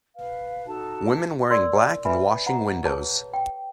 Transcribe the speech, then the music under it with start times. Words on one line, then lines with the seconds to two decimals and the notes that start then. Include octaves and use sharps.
Woman wearing black and washing windows.
0.15 B4 F5
0.67 D#4 F#4 A4 A5
1.50 A#4 D5 C6 E6
2.05 B4 E5 G#5 B5
2.46 F#5 A#5
2.83 G#4 B4 C#5 A5
3.34 G5